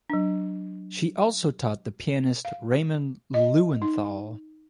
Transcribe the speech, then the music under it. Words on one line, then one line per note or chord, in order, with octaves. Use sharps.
She also taught the pianist Raymond Lewenthal.
F#3 D4
F5
D#5
D#4